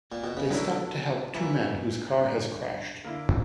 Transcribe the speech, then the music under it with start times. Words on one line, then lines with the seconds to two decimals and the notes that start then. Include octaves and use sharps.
They stop to help two men whose car has crashed.
0.12 A#2
0.24 B2
0.37 C#3
0.50 B2 D3 F#3 B3 E4
1.35 D3 E3 F#3 A#3 E4
2.19 G2 D3 A#3 D4
3.04 D3 A#3 E4